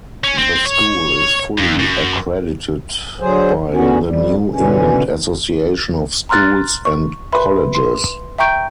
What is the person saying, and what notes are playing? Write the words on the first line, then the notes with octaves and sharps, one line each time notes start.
The school is fully accredited by the New England Association of Schools and Colleges.
C#4
C4
C#5
F2
F#2
D3 F#3 G#4 C5
E2 D3 B3 C#4 F#4
F2 G3
B2 D3 E3 C#4
A#5 C6 F6 F#6 A6
C#6
B4 E5 B5 C6
C6
E5 G5 A#5 C#6 G6 D7